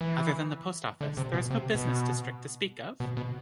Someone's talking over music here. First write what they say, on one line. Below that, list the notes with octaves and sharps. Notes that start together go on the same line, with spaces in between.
Other than the post office, there is no business district to speak of.
E3
D3
C3
B2
C3
B2
B2
B2